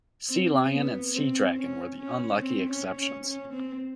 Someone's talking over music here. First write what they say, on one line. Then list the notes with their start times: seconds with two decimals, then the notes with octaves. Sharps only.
"Sealion" and "Seadragon" were the unlucky exceptions.
0.29 C4
0.72 B3
1.14 C4
1.57 C#4
1.98 C#4
2.41 C4
2.70 C#4
2.97 C#4
3.25 C#4
3.54 C4